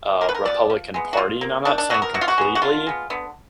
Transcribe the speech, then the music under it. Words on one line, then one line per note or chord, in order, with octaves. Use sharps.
uh, Republican Party, and I'm not saying completely,
D3 A#4
B4
A#4
F3 B3 D5
F3
G#3 B3
F#4
B2 F4
A#3
D#3 D4
D4
F#3 B3 F#4
A#4
B2 F#4
F4
F#4
G#3 B3
F#4
D3 F4
G#3 B3
D3 B3